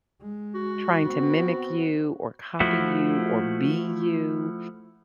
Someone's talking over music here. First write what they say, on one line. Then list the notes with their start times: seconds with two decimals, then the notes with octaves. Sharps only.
trying to mimic you or copy you or be you,
0.22 G#3
0.55 F#4
1.05 B3 C4
2.60 F3 A3 E4 F#4